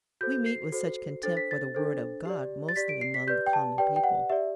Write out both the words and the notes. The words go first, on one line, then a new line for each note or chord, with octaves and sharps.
We meet with such contempt for the Word of God mostly among the common people.
F#4 A4 C5 G6
C7
F#4 A4 C5
D4 A4 C5 A6
B6
A6
D4 A4 C5
G4 D5
A6
G4 D5 B6
D7
C7
B6
G4 B4 D5 G6
G5
A5
G4 B4 D5 G5
G5
F#5
G4 D5 E5